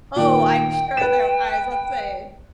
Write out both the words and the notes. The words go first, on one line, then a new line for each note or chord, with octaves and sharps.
Oh, I'm sure there I was about to say.
A#2 D#3 G5
B4 E7